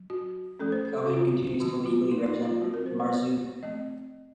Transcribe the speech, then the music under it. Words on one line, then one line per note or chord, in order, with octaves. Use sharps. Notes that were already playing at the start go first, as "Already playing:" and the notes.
Cohen continues to legally represent Marzook.
Already playing: F#3
F#4
F3 A3 C#4 A4
C5
A4
A4
F#4
F4
F#4
D#3 F#3 C4 F#4
F4
D#4
D#4
F4
F#3 C4 F#4
A#4
C5
C5
C#5
F3 A3 C4 D#5